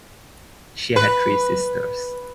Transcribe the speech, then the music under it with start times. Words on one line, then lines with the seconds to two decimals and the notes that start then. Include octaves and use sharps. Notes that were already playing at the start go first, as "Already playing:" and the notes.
She had three sisters.
0.96 B4